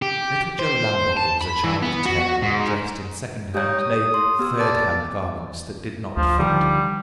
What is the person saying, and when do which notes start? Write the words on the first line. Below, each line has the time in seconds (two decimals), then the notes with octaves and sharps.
Little Joe Lambole was a child of ten, dressed in second-hand, nay, third-hand garments that did not fit.
0.02 G4
0.59 C5
1.17 A5
1.41 B5
1.64 E3
1.82 B3
2.06 F#4
2.42 G#2
3.54 D#4 G4 C#5
3.80 D#6
4.14 C6
4.39 B3 G4 E6
4.58 B4 D5 A5
6.17 D2 F3
6.39 D3 D#3 F3 G3